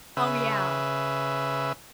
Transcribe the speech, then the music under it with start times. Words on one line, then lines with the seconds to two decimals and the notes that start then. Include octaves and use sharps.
Oh, yeah,
0.17 C#3 B4 E5